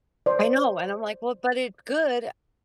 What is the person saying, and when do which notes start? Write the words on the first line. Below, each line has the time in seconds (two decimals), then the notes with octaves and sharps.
I know, and I'm like well, but it's good.
0.26 C5 D5